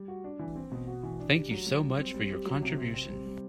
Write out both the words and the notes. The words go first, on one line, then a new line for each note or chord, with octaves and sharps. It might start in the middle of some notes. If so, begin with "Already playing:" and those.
Thank you so much for your contribution.
Already playing: G3
F#4
D4
E3
C4
B2
F#4
E3
D4
G4
F#3
F#3
G3
C4
G3
G4
F#3
C3
C4
C4
G3
G3